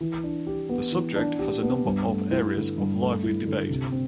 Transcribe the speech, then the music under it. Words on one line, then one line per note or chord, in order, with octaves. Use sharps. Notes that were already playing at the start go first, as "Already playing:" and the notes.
The subject has a number of areas of lively debate.
E3
D4
G4
B3
E3
D4
G4
B3
G2
A3
E4
D3
G2
A3
E4
D3
C3
C4